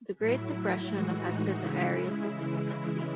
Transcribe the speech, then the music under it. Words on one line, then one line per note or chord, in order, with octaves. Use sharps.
The Great Depression affected the area significantly.
A2 F#3 E4
E4
A2 E3 G#3 F#4
D#4
C#3 G#3 E4
C#3 E3 G#3